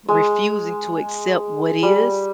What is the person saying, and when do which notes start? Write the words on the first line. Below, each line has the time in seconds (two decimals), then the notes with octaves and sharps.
refusing to accept what is
0.08 G#3
1.83 G3